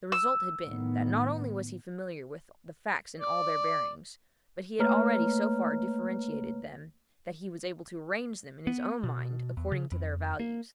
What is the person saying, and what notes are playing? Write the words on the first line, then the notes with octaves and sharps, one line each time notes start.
The result had been that not only was he familiar with the facts in all their bearings, but he had already so far differentiated them that he was able to arrange them in his own mind according to their values.
E6
A2 D#3 B3
D5
A3 A#3 B4 C#5 A#5 F6
B3
B2
E2
C#3
F2
A#3